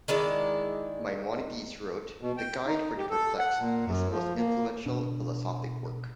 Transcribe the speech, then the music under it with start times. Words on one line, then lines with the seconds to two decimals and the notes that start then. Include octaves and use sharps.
Maimonides wrote "The Guide for the Perplexed" - his most influential philosophic work.
0.08 D#3 G#3 E4 D5
2.21 B2
2.37 G5
2.66 D#4
2.97 G4
3.10 A4
3.39 F#5
3.59 A#2
3.85 F#2
4.11 F3
4.35 A#3
4.86 B2 D4